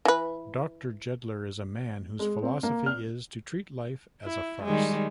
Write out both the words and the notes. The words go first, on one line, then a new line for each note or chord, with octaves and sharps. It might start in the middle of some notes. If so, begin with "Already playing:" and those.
Doctor Jeddler is a man whose philosophy is to treat life as a farce.
E3 B4
G#3
C4
A#3
F6
E4
D#3 G3 G#3